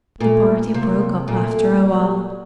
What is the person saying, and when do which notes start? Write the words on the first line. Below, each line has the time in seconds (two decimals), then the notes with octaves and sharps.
The party broke up after a while.
0.21 A#2 A3
0.74 C3 A#3
1.28 A#2 A3
1.81 G3